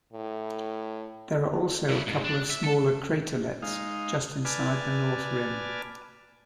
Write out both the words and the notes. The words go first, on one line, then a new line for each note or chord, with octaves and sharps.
There are also a couple of smaller craterlets just inside the north rim.
A2
C#3 E4
D#2 G#2
D4
E5
A4
G#3 D#4 F5
B4 D5 G#5 A5 F6